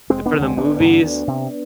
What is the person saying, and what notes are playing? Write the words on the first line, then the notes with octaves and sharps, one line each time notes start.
eh, for the movies?
F1 G#3 C4
B3 D4
D3
D#2 G#3 C4
G#1 B3 D4
G2 D3
D2
C3